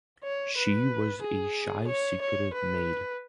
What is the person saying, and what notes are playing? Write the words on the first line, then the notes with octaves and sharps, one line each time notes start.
She was a shy, secretive maid.
C#5
B4
G#4
C#5
C#5
B4